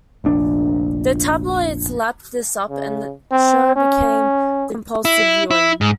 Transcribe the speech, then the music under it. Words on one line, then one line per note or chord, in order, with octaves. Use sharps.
The tabloids lapped this up and the show became compulsive viewing.
F1 A#1 D4
C#3
C4
C#4
E4
E4
G#2